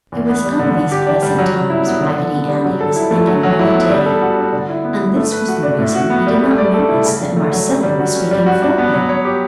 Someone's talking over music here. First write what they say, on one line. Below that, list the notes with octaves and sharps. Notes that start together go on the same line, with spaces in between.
It was of these pleasant times Raggedy Andy was thinking all day, and this was the reason he did not notice that Marcella was speaking for him.
E2
B3
G3
D3
D3
G4
D4
G3
F#3
F#3
E4
B3
D3
D3
B3
G3
F#3
A4
E4
A3
F#3
F#3
E4
B3
G3
A4
F#4
D4
D3
E4
B3
F#3
A3
B4
F#4
D4
A2
F#4
B3
G3
A3
D5
A4
E4
C#3
D4
A3
F#3
G3
G3
F#4
C#4
G3
F#4
D4
B3
F#3
C#5
G4